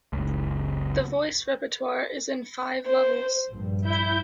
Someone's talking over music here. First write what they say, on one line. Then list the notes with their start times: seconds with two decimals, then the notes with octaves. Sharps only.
The voice repertoire is in five Levels.
0.13 F#1 C#2
2.86 C5
3.51 A#1 G2
3.86 E4 G6